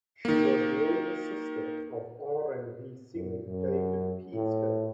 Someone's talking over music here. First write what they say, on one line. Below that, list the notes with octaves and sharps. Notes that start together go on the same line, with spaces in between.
She was the older sister of R and B singer David Peaston.
D#3 A#3
F#2
F#2
A2